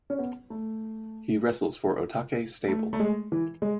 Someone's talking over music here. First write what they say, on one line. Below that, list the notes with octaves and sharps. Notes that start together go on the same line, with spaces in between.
He wrestles for Otake stable.
C#4
B3
A3
A3
A3
G#3
E3
G#3